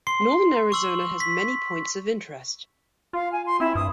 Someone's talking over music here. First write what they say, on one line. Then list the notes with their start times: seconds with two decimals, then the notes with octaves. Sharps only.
Northern Arizona has many points of interest.
0.07 C6 C7
0.72 C#6 E6 F#7
1.20 B6
3.13 F4 F5
3.32 G#5
3.45 C6
3.60 C4 E4
3.75 G2 D#6